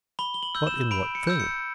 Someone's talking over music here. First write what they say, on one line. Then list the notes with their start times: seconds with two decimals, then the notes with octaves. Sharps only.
But in what thing?
0.19 B5 G7
0.34 G7
0.43 F#7
0.55 E6 G6
0.67 E7
0.91 B5 D7
1.15 C#7
1.27 E6 G6
1.40 C#7